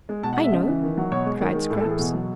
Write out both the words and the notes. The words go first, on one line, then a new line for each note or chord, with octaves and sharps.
"I know!" cried Scraps.
G#3
B2 A5
F#5
G#3
E5
C#3 D#5
E3
D#3
F#3
B2 C#5
G#3
D#3
G#3
A2 A4
A4
E3 G#4
B2
F#3